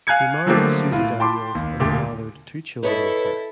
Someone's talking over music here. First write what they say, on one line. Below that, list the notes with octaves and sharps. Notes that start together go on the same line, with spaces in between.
He married Suzy Daniels and fathered two children with her.
F5 G#5 F#6 G#6 C#7
D3 F3 F#3 A3 A#3 G4
A2 F4
G5 A5 B5 C6 D6
D#2
E1 D2 A#2 G4
E4 A4 B4 C#5 D#5